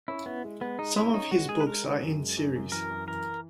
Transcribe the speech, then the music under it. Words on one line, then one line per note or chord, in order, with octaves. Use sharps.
Some of his books are in series.
C#4 E4
B3 E4
G#3
G#3 B3
G#3 D#4
C#4 E4
C#4 D#4
G#3 F#4
G#3 G#4
B4
G#3 A#4
D#3
F#2
G#3
F#2
F#2
E3 A#4
F#2
E3 A#4